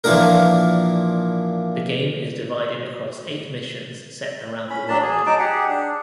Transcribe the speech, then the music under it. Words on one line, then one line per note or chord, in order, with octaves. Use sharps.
The game is divided across eight missions set around the world.
A#2 E3 F3 A#3 D4 A#4
C#4 B5
F#3 D4 A5
G#4
F#3 D#4 A5 D6
G4 G#4 F#5
D4